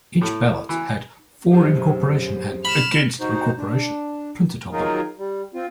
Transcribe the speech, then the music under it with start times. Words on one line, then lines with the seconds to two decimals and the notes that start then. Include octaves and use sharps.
Each ballot had "For incorporation" and "Against incorporation" printed on them.
0.21 A2
0.69 E3
1.51 F#2 G4 G#4 C5
2.65 B5 F6 E7
3.21 D#4 F#4 C5
3.58 D4
4.73 D#3 F#3 D#4 F4 G#4 A#4
5.18 G3
5.54 C4 F4